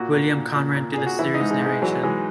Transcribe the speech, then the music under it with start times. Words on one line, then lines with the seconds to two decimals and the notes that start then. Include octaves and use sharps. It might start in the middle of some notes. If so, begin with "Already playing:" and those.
William Conrad did the series narration.
Already playing: A#2 F#4
0.13 A#2
0.35 A#2
0.55 A#2
0.76 A#2
0.94 A#2 G#4
1.07 F#4
1.19 E3 E4
1.34 D#4
1.40 G#2
1.50 G#3
1.61 G#2 G#3
1.82 E3 F#3
2.03 E3 G#3